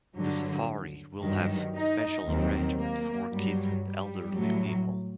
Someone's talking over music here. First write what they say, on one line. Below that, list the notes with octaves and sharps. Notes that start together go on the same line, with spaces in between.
The Safari will have special arrangement for kids and elderly people.
G2 D3 F#3
G2 D#3 F#3
D#4
D#2 D#3 F#3 C4
A#3
G2 F#3 G3
G3
A2 F#3